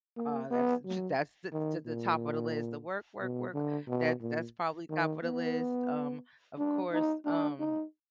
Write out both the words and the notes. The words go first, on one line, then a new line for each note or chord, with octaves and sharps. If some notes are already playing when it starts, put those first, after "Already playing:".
uh, that's that's the the top of the list, the “work, work, work,” that's that's probably top of the list, um, of course, um,
A#3
B3
F#3
D#3
A#2
B2
D3
B2
A#2
D#3
B3
D4
D#4
D4
D#4